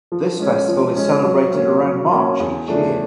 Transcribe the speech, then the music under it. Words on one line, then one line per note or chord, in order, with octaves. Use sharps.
This festival is celebrated around March each year.
F3
G#3 C#4
F3
G#3 C#4
F#3
A#3 C#4
F#3
A#3 C#4
E2
C#3 F3 A3 D4